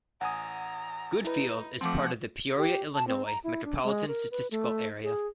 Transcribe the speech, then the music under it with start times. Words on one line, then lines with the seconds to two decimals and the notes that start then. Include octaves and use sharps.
Goodfield is part of the Peoria, Illinois Metropolitan Statistical Area.
0.21 A1 F#5 G#5 A#5 D#6
1.24 D#4 E4 B4
1.81 F3 A3 C4 F#5 C6 D6
2.57 G4
2.94 A5
3.08 C4
3.26 A#5
3.44 E4
3.65 D4
3.83 G#3
4.08 A#4
4.31 B4
4.51 A3
5.03 G#4